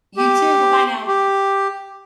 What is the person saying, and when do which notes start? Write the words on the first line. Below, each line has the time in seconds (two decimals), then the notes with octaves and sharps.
You too, bye-bye now.
0.17 G4
1.08 G4